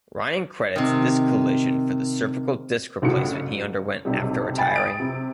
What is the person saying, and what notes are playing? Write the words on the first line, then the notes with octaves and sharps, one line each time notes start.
Ryan credits this collision for the cervical disc replacement he underwent after retiring.
C3 D#3
G1 C#2 A2 C#3 F#4 C#7
F#1
B1 C3 G3
G5 G#5 B5 A6
D#6 D7
C3